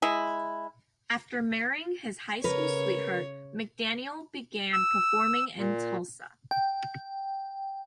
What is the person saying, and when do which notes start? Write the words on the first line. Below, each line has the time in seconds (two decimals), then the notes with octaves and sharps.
After marrying his high school sweetheart, McDaniel began performing in Tulsa.
0.02 G#3 E4
2.44 C#3 A#4 B4 C#5
4.73 E6
5.58 A#2
6.51 G5